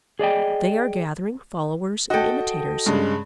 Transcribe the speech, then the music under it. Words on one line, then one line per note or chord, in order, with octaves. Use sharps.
They are gathering followers and imitators.
G#4 D5 D#5 G5
F#4 A4 D#5 G5
G2 C#3 G#3